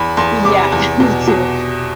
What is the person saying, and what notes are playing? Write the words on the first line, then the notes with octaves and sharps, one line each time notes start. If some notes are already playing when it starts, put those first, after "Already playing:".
Yeah, me too
Already playing: E2 B5
E2 C6
C3 D6
E2
B2
B2